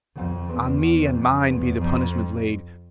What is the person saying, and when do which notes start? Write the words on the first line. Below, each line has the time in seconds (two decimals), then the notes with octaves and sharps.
On me and mine be the punishment laid.
0.16 F2
0.48 E2
1.13 F2
1.46 E2
1.78 F2